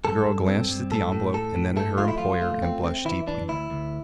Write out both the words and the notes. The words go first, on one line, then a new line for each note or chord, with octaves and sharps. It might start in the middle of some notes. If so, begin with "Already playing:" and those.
The girl glanced at the envelope and then at her employer and blushed deeply.
G2 A4
G2
C4
G2
A2 A4
A2
A2 A4
A2
A3 A4
F3 F4
E4
F3 F4
A3
C4
C4
E3 E4
E3 D4
D2 E4
D2